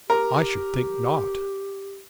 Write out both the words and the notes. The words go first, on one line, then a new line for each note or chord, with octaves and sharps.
"I should think not."
G4 A#4